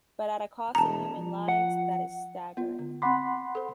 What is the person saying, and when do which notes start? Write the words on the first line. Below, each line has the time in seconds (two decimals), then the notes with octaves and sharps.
But at a cost in human lives that is staggering.
0.75 E1 A5 A#5
1.17 F3
1.48 F#5
2.57 B3 F4
2.79 D3
3.02 C4 F#5 B5 C6 D6
3.55 A4 C5